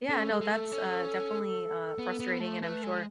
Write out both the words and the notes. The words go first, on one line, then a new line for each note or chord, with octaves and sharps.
Yeah, no. That's, uh, definitely, uh, frustrating, and I'm sure,
C#4 A4
G#3
G#3
A3
C#4
B3
B3
A3
A3 B4
G#3 A4